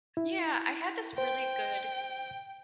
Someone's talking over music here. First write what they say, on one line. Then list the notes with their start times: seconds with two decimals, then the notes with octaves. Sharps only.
Yeah, I had this really good
0.17 E4
1.18 C5 G5